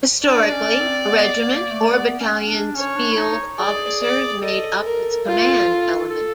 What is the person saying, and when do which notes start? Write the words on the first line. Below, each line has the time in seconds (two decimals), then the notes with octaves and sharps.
Historically, a regiment or battalion's field officers made up its command element.
0.25 D4 D5
0.53 C#4
0.81 C4
1.09 B3
1.44 B3
1.50 A#3
1.72 A3
1.92 B3
2.20 C#4
2.48 D4
2.75 C#4 C#5
2.97 D4
3.12 E4
3.17 D#4
3.59 G#4 D5
4.01 D5
4.43 A4 D#5
4.84 A#4
5.27 F4
6.10 A4